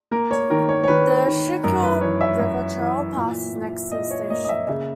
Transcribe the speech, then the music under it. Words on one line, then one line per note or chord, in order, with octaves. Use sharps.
The Schuylkill River Trail passes next to the station.
A#3 A#4
C#5
D#3 A#4
C#5
C#5
D#3 B4
D#3
F#2 A#4
B4
E3 C#5
E5
F#2
E3
A#2
A#2
A#2 D#5
C#5
A#3 D#5
D#5
E5
C#3 E5